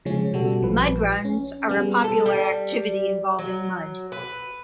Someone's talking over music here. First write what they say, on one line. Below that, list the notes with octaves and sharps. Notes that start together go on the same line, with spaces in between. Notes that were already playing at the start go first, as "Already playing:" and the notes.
Mud Runs are a popular activity involving mud.
C#3 F3 G#3 C#4
B2 G3 F#4 A4
A#1 F3 B4
C#4
G3 B3 G#4
A4
G3
F#3
B4